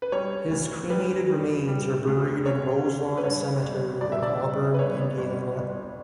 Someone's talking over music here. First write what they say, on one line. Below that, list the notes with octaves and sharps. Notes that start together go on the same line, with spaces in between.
His cremated remains are buried in Roselawn Cemetery in Auburn, Indiana.
B4
G3 C#5
D2
G3 B4
G3
G3
D2
C#3 C#5
C#3
B4
G2 C#5
G1
G1 D5
E5
D5
G1
B4
G1 C#5
G1
G1